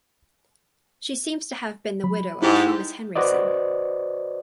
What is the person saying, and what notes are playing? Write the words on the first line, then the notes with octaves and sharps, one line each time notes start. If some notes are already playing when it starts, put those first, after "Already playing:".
She seems to have been the widow of Thomas Henryson.
F#3 B5
G#2 E4 G4
F#4 B4 C5 D5 D#5